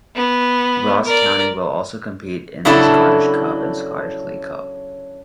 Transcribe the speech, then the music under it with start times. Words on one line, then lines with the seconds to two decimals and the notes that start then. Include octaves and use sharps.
Ross County will also compete in the Scottish Cup and Scottish League Cup.
0.15 B3
1.05 A#4 D5
2.65 C#3 F#3 D4 E4 A4